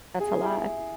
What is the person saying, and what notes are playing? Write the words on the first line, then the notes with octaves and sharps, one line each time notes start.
That's a lot.
G#4
E4